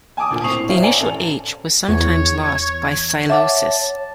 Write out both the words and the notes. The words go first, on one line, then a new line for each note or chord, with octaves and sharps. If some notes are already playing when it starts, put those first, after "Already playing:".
The initial "h" was sometimes lost by psilosis.
G#5 A5 D6 D#6
D2 A#2
A2 C4 C#6 D#6 C7 F7
C5 C#5 E5 F5
D5 G#5 A#5
A1 A4 F7
E2 C#5
C#5 E5 F#5 A5 D6